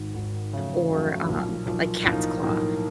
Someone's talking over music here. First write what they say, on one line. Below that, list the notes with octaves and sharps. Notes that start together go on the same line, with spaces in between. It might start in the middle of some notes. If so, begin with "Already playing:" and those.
or, um, like, cat's claw,
Already playing: G#1 G#2 D#3
G#1 G#2 D#3
F2 C#3 F#3 A3
F2 C#3 F#3 A3
B1 A#2 F3
B1 A#2 F3
B1 A2 F3 A#3 D#4
B1 A2 F3 A#3 D#4